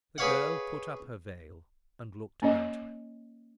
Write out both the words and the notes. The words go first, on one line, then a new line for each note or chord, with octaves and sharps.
The girl put up her veil, and looked about her.
G#4 B4 C#5 F5 F#5
A#3 C#4 C#5 D#5